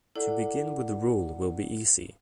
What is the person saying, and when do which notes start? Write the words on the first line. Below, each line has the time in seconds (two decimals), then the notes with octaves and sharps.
To begin with the rule will be easy.
0.16 E4 A4 D5 F#5